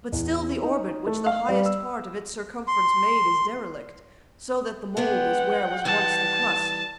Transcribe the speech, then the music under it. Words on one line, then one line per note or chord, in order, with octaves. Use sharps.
But still the orbit, which the highest part Of its circumference made, is derelict, So that the mould is where was once the crust.
E2
D#4
A3
F5
G3
E6
C6
G#3 B3 D4 F#5 G5
E3 G3 A5